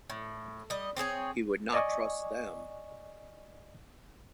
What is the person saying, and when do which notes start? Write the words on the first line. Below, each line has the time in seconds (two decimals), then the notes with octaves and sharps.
He would not trust them.
0.10 A2
0.70 G3 D#5
0.97 C4 D4 G#4 C#5
1.74 D5 D#5 G#5 C#6